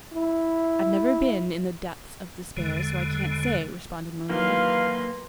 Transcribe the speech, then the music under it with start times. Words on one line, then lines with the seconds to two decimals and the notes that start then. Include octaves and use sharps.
"I've never been in the depths of despair, so I can't say," responded Marilla.
0.14 E4
2.57 E2 D3 G#3
4.29 D#3 E3 F#3 A#3 B4 F5 C6 F6